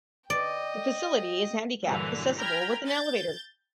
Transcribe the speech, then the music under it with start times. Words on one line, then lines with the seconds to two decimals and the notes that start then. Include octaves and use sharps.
The facility is handicapped-accessible with an elevator.
0.30 D5 D#5 G5
1.83 G2 A#2 D3 E3 F#3
2.37 G5 A#5 B5 F6 G#6
2.86 G6 A6